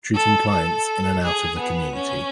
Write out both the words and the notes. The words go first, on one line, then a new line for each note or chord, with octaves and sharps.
Treating clients in and out of the community.
A4
A4
G#4
B3
C#4